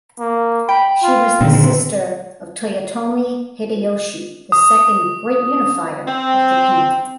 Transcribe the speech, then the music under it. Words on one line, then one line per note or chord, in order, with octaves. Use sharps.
She was the sister of Toyotomi Hideyoshi the second "Great Unifier" of Japan.
A#3
G5 B5
F4
A#2 D3 D#3 C4
D#6
C4